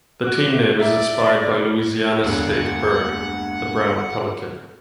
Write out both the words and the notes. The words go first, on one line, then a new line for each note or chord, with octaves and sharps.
The team name is inspired by Louisiana's state bird, the brown pelican.
F#4 D6 F#6
D5 E5 A#5
E1 D2 G2 G#3 A#3 F#5